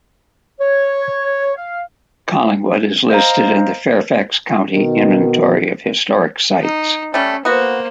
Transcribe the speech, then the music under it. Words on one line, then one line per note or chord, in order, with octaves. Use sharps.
Collingwood is listed on the Fairfax County Inventory of Historic Sites.
C#5
F5
C5 D#5 F5 A#5
B2 D#3
D#4
G3 A3 C#4
A#3 B3 F#4 C5